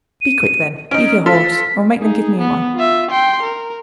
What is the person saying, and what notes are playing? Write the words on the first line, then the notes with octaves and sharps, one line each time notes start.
"Be quick, then; leave your horse, or make them give me one."
D#7
C#4 D#4 D7
F4 A4 B6
D#4 G#4
B3
F4 E5
G5 C6
A#4